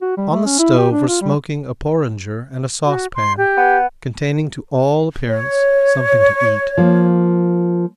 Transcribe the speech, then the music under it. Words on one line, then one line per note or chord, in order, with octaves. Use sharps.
On the stove were smoking a porringer and a saucepan, containing to all appearance something to eat.
F#4
G3
A3
C#4
E4
G4
D4
F4
G3
F#4
C6
G4
B3
C#5
F3 A#3